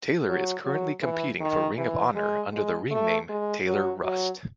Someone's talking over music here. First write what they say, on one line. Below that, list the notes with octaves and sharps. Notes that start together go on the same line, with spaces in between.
Taylor is currently competing for Ring of Honor under the ring name Taylor Rust.
F#3
F#3
E3
D#3
E3
G#3
G#3
A3
G#3
F#3
F#3